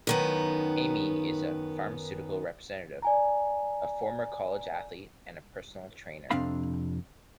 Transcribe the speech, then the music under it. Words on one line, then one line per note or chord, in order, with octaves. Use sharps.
Amy is a pharmaceutical representative, a former college athlete, and a personal trainer.
F#2 D#3 B3
D5 G#5 A#5
F2 C3 C4 D4 F5 B5